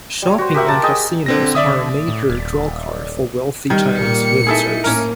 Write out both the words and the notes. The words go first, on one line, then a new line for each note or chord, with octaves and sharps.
Shopping and casinos are a major drawcard for wealthy Chinese visitors.
G3 C#5
F#4 C5
G4 A#4 E5 F#5
A#4 A5
G#4 D#5 G5
D3 C4 A#6
D3 D5 E5 D#6
A2
D#1
D#3 G3
A#2 A#3 C#7
D#4 E4 G#4 A4 E5
A2 A#3 C#4 A#4